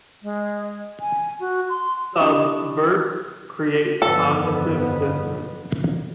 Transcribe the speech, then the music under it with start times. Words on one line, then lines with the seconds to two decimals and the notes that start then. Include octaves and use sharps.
Subverts create cognitive dissonance.
0.23 G#3
1.01 G#5
1.40 F#4
1.69 C6
2.21 D4 E4 G4 D#5 C#6 D6
4.02 G1 F2 B3 A4